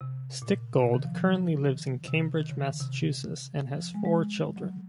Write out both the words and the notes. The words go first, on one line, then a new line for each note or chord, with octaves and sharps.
Stickgold currently lives in Cambridge, Massachusetts and has four children.
C3
A#2
C3
D#3
F3
F3
F3
D#3
C3
D#3
C#3
D#3
C3
F3
G#3
G#3
F#3